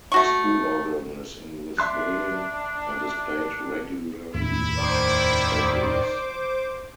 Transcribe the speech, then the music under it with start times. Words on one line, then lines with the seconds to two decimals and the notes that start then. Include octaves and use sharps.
The school organ is in this building, and is played regularly at assemblies.
0.12 A3 F#4 C#6
1.78 D4 E5 C6 F#6
4.34 F1 D#2 A2 E4
4.79 D#3 C5 D5 D6